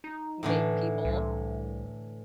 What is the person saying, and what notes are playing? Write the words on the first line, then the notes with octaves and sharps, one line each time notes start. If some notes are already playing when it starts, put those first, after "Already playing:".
make people
D#4
A2 D3 E3
C2